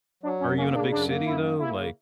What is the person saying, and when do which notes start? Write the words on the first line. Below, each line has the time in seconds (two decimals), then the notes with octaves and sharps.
Are you in a big city though, like
0.23 F#3 D4
0.40 F#2 C#4
0.57 A#3 C#4
0.74 C#3 D4
0.92 F#2 D4
1.08 A#3
1.26 F#2 E4
1.42 A#3
1.59 A#3 E4
1.76 C#3